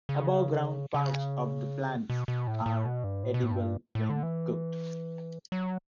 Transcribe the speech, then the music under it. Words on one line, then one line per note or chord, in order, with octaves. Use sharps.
The above-ground parts of the plant are edible when cooked.
C#3
C#3
B2
B2
A2
A2
B2
G2
A2
B2
A2
G2
A2
D3
E3
F#3